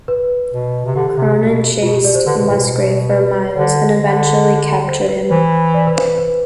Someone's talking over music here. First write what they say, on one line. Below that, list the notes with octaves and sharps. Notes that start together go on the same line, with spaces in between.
Cronin chased Musgrave for miles and eventually captured him.
B4
B2
C3
D3 G4
D3
C3
B2
B2 F4
G4
B2 D5
C5
D3 B4
B2
A2
B2
B4
D3 C5
D3
C5
B4
E3 C5
D5
B4
C5
B4